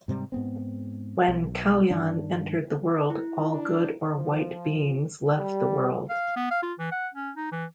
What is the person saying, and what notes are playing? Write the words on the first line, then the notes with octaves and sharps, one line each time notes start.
When Kaliyan entered the world, all good or white beings left the world.
G#2 C3 G3
G#2 B3 C4
B1
G2 D#3 D4
E4
D4
F3
G3
F5
B3
F5
F4
E3
F#5
C#4
D#4
E3